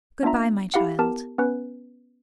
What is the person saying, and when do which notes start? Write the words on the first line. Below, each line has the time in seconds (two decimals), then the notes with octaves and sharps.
"Good-bye, my child."
0.23 B3 D4 F4 E5 A#5
0.74 E4 G4 F5 F#5
0.99 B3 G4 A#4 A5
1.39 B3 C#4 B4